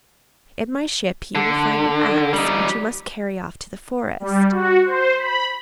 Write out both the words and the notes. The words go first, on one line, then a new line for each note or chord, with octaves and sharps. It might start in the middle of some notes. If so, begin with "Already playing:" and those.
In my ship you will find an axe, which you must carry off to the forest.
D3
G3 D#4
G3
F#4
C5
B5